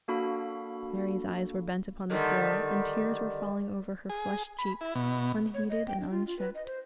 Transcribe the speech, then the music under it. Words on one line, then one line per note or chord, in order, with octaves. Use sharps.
Mary's eyes were bent upon the floor, and tears were falling over her flushed cheeks, unheeded and unchecked.
A#3 D4 F#4 A4 F5 B5
D3 D#3 G3
G#4
B5
E4
B2
C#5
D#5
G5
D4
F4
F4
B4
D#5
C5